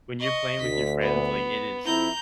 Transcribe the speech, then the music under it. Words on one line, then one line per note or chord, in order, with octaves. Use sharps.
when you're playing with your friends, like, it is
D#5 C#6
D2 B6
B3
F2 C4 E4 A#5 G6